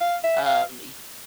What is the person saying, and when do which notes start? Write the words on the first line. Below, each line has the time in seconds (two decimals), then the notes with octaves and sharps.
um, y
0.01 F5
0.24 E5
0.46 F5